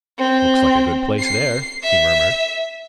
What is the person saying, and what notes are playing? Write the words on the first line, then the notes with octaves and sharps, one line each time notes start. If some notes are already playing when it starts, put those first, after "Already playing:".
"Looks like a good place there," he murmured.
C4
C7
E5